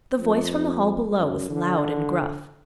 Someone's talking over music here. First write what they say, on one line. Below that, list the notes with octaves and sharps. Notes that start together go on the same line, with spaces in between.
The voice from the hall below was loud and gruff.
F2
F#2
D3